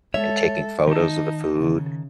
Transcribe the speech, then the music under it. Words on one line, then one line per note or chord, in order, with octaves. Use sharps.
and taking photos of the food,
G#3 A4 C#5 E5
D#3 D#4 A5
C#3